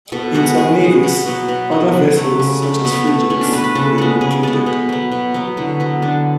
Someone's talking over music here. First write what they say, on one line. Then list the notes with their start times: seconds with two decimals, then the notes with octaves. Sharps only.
In some navies other vessels, such as frigates, may be included.
0.12 B2 A4
0.34 G#3 B3 F#4
0.58 B2 G#4
0.81 G#3 B3
1.03 B2 F#4
1.26 F#3 B3 F#4
1.48 B2 F#4
1.71 F#3 B3
1.94 C#3 F#4
2.17 F#3 A3
2.39 C#3
2.62 F#3 A3
2.85 B2 B3
3.07 A3
3.30 B2 C#4
3.41 D4
3.53 A3 B4
3.64 B4
3.75 C#3 A4
3.98 G#3 B3 F#4
4.21 C#3 G#4
4.43 G#3 B3 A4
4.66 B2
4.89 F#3 B3
5.12 B2
5.34 F#3 B3
5.57 D3 E4
5.80 F#3 B3
6.02 D3 D4